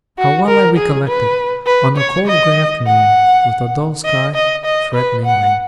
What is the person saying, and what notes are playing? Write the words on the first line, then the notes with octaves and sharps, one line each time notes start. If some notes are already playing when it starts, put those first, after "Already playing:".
How well I recollect it, on a cold grey afternoon, with a dull sky, threatening rain!
F#4
A#4
G#4
B4
B4
C#5
D#5
F#5
D#5
D#5
D#5
B4
F#5